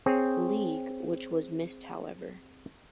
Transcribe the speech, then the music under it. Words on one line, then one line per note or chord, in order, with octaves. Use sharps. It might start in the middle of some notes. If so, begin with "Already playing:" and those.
League, which was missed however.
C4 G#4 C#5